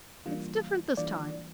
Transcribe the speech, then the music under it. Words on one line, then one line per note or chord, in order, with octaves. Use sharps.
It's different this time.
E3 G3 A#3 D4 F4
E3 G3 A#3 D4 F4 D5